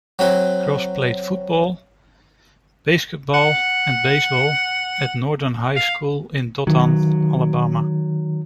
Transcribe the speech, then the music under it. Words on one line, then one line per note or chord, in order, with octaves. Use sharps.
Gross played football, basketball, and baseball at Northview High School in Dothan, Alabama.
F#3 C4 B4
F#5
F5
D#3 F#3